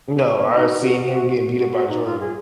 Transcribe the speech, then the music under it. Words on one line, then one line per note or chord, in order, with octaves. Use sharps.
No, I've seen him get beat up by Jordan.
A#3
B3
D#4
F#4
F#4
F#4
D#4
F4
G#4